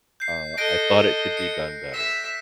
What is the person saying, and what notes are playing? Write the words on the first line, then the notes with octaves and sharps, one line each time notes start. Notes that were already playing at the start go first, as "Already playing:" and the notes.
Uh, I thought it could be done better.
G6 C7
A4 D#5 F#6 A#6 D7
C#7
E5 E6 B6 E7